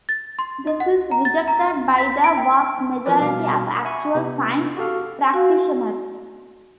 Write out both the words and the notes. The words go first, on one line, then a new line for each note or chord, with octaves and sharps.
This is rejected by the vast majority of actual science practitioners.
A6
C6
D#5
F#5
A#5
A6
A#5
B6
D7
G5
E3 F3 C4 A#4 B4 D5
B2 G3 F5 D6 F6
E5 F#5 G#5 B5 C#6
C3 B3 G4
F#4 G4 A4 F5 F6
F#4 F5 F#5 G#5